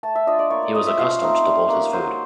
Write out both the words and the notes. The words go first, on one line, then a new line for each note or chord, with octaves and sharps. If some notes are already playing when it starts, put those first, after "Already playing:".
He was accustomed to bolt his food.
A3 A5
E5
D4 F4 D#5
D5
A#3 C#5
D5
C#4 F4 D#5
E5
F3 F5
A3 C4 D#4
G3
A#3 C#4
F#3 C5